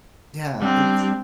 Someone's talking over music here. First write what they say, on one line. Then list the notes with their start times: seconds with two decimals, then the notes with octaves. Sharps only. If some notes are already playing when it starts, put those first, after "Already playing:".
Yeah, it's
0.62 G3 C4 D4